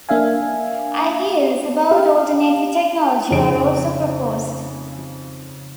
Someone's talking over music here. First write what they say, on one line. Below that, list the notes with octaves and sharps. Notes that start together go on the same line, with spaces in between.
Ideas about alternative technology are also proposed.
A#3 D4 E5 F5 G#5
G4 F5
F2 C#3 D#4 G#4 D7